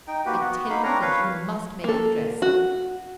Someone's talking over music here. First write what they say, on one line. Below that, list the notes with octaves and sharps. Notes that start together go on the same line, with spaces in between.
I tell you that you must make the dress.
D#4 G5
A#3 F#4 G4 B4
B3 F#4 F#5
A#3 D#4 F5 B5
C4 D4 A#4 B4 C#5 A#5
B4 C#5 F5
A#3 A4
F#4